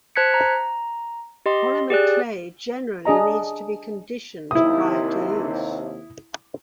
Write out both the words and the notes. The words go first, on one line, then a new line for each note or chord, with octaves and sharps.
Polymer clay generally needs to be conditioned prior to use.
C5 A5 F#6 G#6 B6 C#7
A#5
G4 D#5 C6
G4 G#4 D5 F#6
D4 G#4 D#5 A#5
D#2 C3 E4 D#6